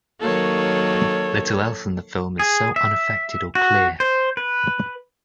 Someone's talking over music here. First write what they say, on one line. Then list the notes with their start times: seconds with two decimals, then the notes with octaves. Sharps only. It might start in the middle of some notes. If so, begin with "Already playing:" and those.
Little else in the film is so unaffected or clear.
0.20 D#3 F#3 A#3 A4 C#5
2.39 G#4
2.76 E5
3.55 F#4
4.00 C5
4.37 B4